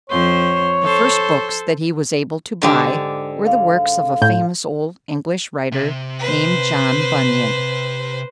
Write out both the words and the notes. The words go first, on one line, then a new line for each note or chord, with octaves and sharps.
The first books that he was able to buy were the works of a famous old English writer, named John Bunyan.
F2 C5 C#5
A4 C5
G#2 D3 G4
F5
A2 G6
C3
B4 C5